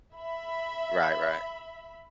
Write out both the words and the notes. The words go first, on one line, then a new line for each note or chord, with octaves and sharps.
Right. Right.
E5 B5